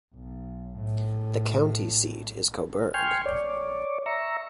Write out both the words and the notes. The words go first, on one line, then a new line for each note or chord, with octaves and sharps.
The county seat is Cobourg.
B1
A2
G5 G#5 C6 C#6 F6
C#5 D5
E5 A#5 C#6